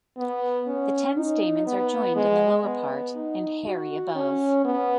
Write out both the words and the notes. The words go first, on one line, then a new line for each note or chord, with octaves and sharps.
The ten stamens are joined in the lower part and hairy above.
B3
C#4
D#4
B3
G#3
B3
D#4
F#4
C#4
B3